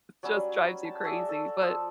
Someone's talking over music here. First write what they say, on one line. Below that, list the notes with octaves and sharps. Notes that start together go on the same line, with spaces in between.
just drives you crazy, but
F#3 G3 C#4 F#4
A5
F#4 G#4 D5 E5
A4
F3 E6